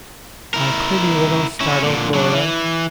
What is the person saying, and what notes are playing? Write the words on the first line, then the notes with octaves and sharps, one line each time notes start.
My pretty, little, startled Dora!
E4 A#4
C#4 E4
A#2 D3
F#3 D4
E3